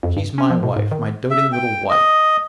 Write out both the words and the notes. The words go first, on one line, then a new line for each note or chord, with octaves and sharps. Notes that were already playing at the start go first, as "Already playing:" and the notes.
She's my wife, my doting little wife.
F2
G2
C#4
F3
B2
G#2
D#3
E5
G5
D#5